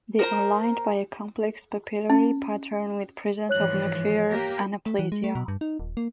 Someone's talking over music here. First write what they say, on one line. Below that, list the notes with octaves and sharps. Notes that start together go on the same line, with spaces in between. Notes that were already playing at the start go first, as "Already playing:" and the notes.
They are lined by a complex papillary pattern with presence of nuclear anaplasia.
A#4 C5 A#5
C#4
G#2 E3 F3 C#5 F#6 F#7
A#3 G4 A#4
A3
E3
G#3
A3
B2
G2
D#4
D#1
A#3